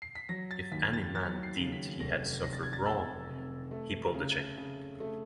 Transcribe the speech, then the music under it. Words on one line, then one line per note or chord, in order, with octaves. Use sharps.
If any man deemed he had suffered wrong, he pulled the chain.
C7
B6
F#3 A#6
A6
D#2 B6
A6
F#3 A6
C7
C#3
B6
F1 A#6
F1 A#6
A6
G#6
A6
F1 E6
C3
A3
C#3
C#3
A3